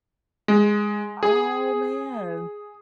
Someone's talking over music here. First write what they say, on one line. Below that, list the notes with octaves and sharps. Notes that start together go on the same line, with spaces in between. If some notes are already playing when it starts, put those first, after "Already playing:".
Oh, man.
G#3
G#4